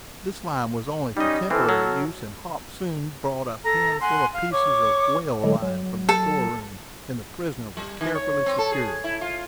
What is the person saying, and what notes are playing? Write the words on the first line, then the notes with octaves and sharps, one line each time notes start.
This line was only for temporary use; and Hop soon brought a handful of pieces of whale-line from the store-room, and the prisoner was carefully secured.
G3 C#4 D#4 D#5
E3 C4 A4 F6
F#3
A4 A#5
F#5 G#5 C6
F5
C#5 C#6 D6
D3 F#3 G#3
F#3
A4
G3
D#3
C#5
C4
A4
G#4
E4
F4